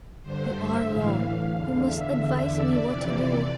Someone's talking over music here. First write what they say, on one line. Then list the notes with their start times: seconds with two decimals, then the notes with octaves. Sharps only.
"You are wrong; you must advise me what to do."
0.22 G2 D3 C5
0.55 E5
0.87 A2 E3 F5
1.52 E2 D3
1.85 E5
2.17 E2 D3
2.49 D5
2.82 F2 C3 E3